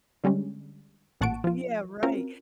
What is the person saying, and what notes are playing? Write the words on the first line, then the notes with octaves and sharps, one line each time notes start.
yeah, right.
D3 G3 G#3 C#4
A1 A#2 F#5 A5 C#6 D7
F3 F4
C4 C#4 F4 F#4 A#4